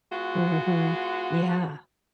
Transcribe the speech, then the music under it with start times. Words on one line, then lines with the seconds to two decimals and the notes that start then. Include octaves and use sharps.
Mhm. Yeah.
0.12 G#3 B3 F4 F#4